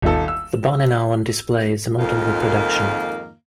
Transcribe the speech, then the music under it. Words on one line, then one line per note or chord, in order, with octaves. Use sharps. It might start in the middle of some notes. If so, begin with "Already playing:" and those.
The banner now on display is a modern reproduction.
D#1 G#1 D#2 B3 D#4 A4
E6
F2 G#2 D#3 A#3 F4 F5